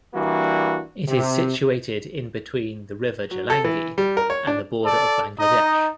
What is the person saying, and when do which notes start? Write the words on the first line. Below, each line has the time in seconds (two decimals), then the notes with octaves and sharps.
It is situated in between the river Jalangi and the border of Bangladesh.
0.14 E3 G3 A#3 D4 F#4
1.08 C3
3.31 F#3
3.50 A4
3.65 E3
3.98 G3
4.17 A#4
4.30 C#5
4.47 D4
4.85 A4 D5
5.39 D#4 D#5